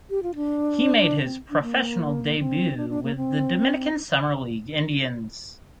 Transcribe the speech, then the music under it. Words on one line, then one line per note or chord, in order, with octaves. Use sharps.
He made his professional debut with the Dominican Summer League Indians.
G4
F4
D4
C4
D4
A#3
C4
D4
D4
A#3
C4